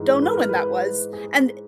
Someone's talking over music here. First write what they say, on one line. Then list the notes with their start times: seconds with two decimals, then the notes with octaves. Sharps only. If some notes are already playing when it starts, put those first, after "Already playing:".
don't know when that was, and,
Already playing: G#2 E3 G#3
0.22 B4
0.35 A#4
0.49 B4
1.13 G#4